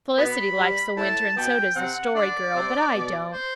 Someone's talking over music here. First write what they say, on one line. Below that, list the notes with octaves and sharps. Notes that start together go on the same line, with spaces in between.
Felicity likes the winter, and so does the Story Girl, but I don't.
B2 B3 B5
G2 G3
A2 A3 A5
B2 B3 G5
C3 C4 F#5
D3 D4 D5
C3 C4
B2 B3
C5